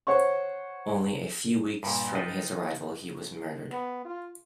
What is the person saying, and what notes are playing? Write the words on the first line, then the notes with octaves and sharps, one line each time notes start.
Only few weeks from his arrival he was murdered.
C5 C#5 F#5 C#6
G2 A#2
D#4 F4 B4 G5 A5
B3
F4